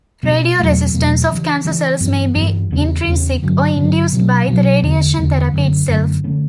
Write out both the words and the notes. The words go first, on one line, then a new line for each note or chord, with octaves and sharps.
Radioresistance of cancer cells may be intrinsic or induced by the radiation therapy itself.
B2 G3 B3 D4
E2 B2 F#3 A3
E2 B2 F#3 A3
C#3 E3 G3 D4
C#3 E3 G3 D4
G2 E3 G3 B3
G2 E3 G3 B3
E2 C#3 G3 C#4
E2 C#3 G3 C#4
G2 D3 F#3 C#4
G2 D3 F#3 C#4
B2 F#3 C#4
B2 F#3 C#4
E2 D3 G3
E2 D3 G3
F#2 D3 A3 C#4
F#2 D3 A3 C#4
D3 A3 C#4